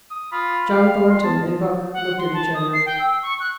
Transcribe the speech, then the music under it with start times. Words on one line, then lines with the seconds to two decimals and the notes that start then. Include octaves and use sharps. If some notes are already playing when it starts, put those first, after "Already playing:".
John Thornton and Buck looked at each other.
0.11 D#6
0.32 F4 B5
0.68 F5
1.10 C6
1.24 B3 A5
1.93 F#5
2.18 C6
2.33 A5
2.54 D#6
2.73 C7
2.86 G5
2.99 E6
3.22 C#6
3.40 F#6